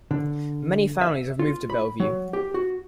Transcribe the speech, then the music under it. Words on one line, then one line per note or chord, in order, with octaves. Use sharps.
Mainly families have moved to Bellevue.
D3
E5
F4
B5
F#3
G4
F#4